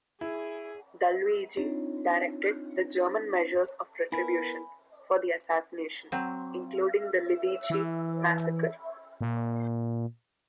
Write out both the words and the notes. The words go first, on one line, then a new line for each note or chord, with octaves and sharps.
Daluege directed the German measures of retribution for the assassination, including the Lidice massacre.
E4 G#4
C4 D4 D#4 F4 C#5
B3 E4 A#4 G#5 B5
F#3 C4
E3
A#2